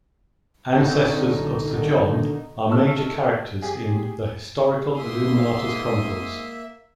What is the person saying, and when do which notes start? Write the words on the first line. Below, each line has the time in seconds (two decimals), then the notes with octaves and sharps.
Ancestors of Sir John are major characters in The Historical Illuminatus Chronicles.
0.74 D3 C4 C#4 D#4
1.35 B1
1.67 B1 B2 D#3
2.69 A3 D#4 A5 E6 F6
3.62 G4 G#4
4.97 G#2 A#3 E5 C6 D#6